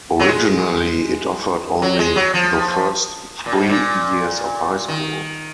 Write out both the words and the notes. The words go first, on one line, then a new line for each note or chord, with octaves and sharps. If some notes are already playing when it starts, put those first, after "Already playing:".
Originally it offered only the first three years of high school.
F#3
G#3
F#3
G#3
F#3
F3
A#2
G#2
A#2
D#3